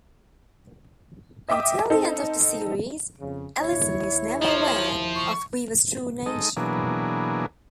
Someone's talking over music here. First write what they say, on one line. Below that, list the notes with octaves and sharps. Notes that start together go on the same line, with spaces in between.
Until the end of the series, Ellison is never aware of Weaver's true nature.
D#5 E5 G5 D6 D#6
C4 D#4 A4
F2 C#3
D#2 E4 C#5
F3 C#5
C#6
G#3 D#4 A4 D#5
B2 E3 F#3 A#3 D4 G#4